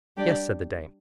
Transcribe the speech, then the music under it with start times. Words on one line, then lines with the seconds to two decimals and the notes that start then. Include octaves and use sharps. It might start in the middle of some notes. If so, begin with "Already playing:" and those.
"Yes," said the dame.
0.17 G3 D4 G4 D5